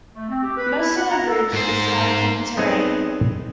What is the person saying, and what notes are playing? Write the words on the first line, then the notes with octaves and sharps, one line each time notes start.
Most of the ridge is hiking terrain.
A3
C4
G4
B4
E4
F#5
A#5
A4
G#2 C5
B3 C4 D#4 G#4 C#5 A5